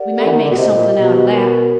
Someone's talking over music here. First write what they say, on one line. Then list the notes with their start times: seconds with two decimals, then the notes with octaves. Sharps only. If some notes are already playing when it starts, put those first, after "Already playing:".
We may make something out of that.
Already playing: G4 A#4 D5 F#5
0.19 A3
0.26 E3
0.31 D#3
0.43 D3
0.51 B2
0.55 C3 E4 G4 C5 D#5
0.68 A2
0.73 A#2
0.93 B2
1.29 F#4 A#4 C#5